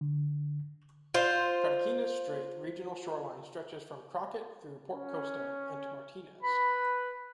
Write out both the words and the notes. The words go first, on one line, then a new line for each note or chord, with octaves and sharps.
Carquinez Strait Regional Shoreline stretches from Crockett through Port Costa and to Martinez.
D3
F4 C5
C#4
B4 B5